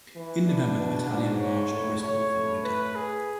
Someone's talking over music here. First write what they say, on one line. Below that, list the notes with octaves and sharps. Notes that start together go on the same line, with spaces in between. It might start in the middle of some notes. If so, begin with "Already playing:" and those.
In November the battalion marched to Bristol for the winter.
E3
D4
B2
G#2
C#5
A2
A2 C#5
B4
G#4